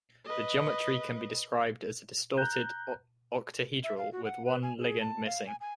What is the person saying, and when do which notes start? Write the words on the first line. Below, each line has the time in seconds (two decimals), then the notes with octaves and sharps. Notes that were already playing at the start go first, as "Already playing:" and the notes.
The geometry can be described as a distorted octahedral with one ligand missing.
0.25 B4 D#5
2.37 A#5 F#6 G6
3.84 E5
3.98 F5
4.12 F#4
4.25 F#5
4.45 B4
4.63 G#5
4.79 G#4
5.00 A5
5.26 F5
5.47 G#5
5.61 G#5